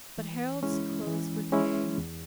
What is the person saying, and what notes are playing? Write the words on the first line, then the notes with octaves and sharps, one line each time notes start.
But Harald's clothes were gay.
E3
G#3 C#4 E4
E3
G#3 C#4 E4
E2